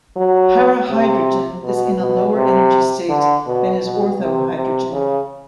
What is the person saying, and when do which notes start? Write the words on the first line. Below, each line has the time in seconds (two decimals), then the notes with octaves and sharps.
Parahydrogen is in a lower energy state than is orthohydrogen.
0.16 F#3
0.90 C3
1.64 B2
2.00 B2
2.36 C3
3.09 D3
3.46 B2
3.84 B2
4.20 C3
4.56 C3
4.92 C#3